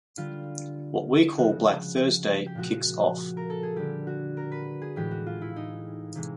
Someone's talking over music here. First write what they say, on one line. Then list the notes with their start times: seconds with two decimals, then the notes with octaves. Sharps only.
What we call Black Thursday kicks off.
0.17 D3 G3 F4
1.37 C#3 F3 G#3 F#4
2.46 G4
2.55 A#2 F3 G#3 F#4
3.37 A#4
3.50 A4
3.63 G#4
3.76 D3 G3 G4
4.07 F#4
4.37 A#4
4.52 B4
4.82 G#4
4.96 A2 E3 G#3 G4
5.11 F#4
5.26 F4
5.42 E4
5.56 D#4
6.15 C3 E3 G#3